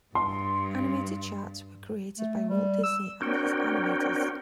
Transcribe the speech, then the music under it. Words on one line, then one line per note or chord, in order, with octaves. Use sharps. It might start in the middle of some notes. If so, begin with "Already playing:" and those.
Animated charts were created by Walt Disney and his animators.
G2 C6
A3
G3
E6
C4 D4 F#4 A#4 C#5 G5